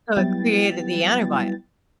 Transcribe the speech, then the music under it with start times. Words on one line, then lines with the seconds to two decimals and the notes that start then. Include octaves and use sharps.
So, it created the antibio
0.17 F#3 G3 B3 E4 G5 A6